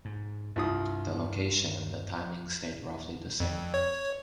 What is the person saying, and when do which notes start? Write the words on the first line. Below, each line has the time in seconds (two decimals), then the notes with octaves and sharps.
The location and the timing stayed roughly the same.
0.05 G#2
0.56 C2 G2 F4 D#6
3.40 F2
3.74 C#5